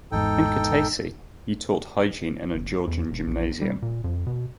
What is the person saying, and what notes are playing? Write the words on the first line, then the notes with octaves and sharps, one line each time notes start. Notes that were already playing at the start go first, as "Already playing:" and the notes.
In Kutaisi he taught hygiene in a Georgian Gymnasium.
G#1 E2 G#2 D#4 A4 G5
F#1
E2
E1
A#1
G3
A#2
F2
B2